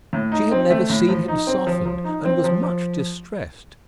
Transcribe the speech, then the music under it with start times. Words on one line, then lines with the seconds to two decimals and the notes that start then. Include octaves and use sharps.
She had never seen him softened, and was much distressed.
0.13 A2
0.32 D#4
0.51 C4
0.70 A3
0.90 A2
1.09 F3
1.28 D#4
1.47 C4
1.67 F3
1.86 F3
2.05 D#4
2.25 C4
2.44 F3
2.63 F3